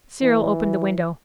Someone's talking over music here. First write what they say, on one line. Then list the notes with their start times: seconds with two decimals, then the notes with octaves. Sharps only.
Cyril opened the window.
0.22 E3